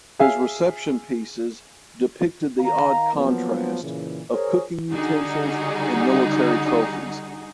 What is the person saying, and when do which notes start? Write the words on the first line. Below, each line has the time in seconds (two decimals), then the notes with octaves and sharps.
His reception pieces depicted the odd contrast of cooking utensils and military trophies.
0.19 G#4 E5 F5 G#5
2.59 D#3 F5 A#5
3.14 F3 F#3 A#3 B3
3.81 A#2 C#3 E3
4.31 G#4 A#4 C5 C#5
4.92 D3 G3 D#4 F#4 G#4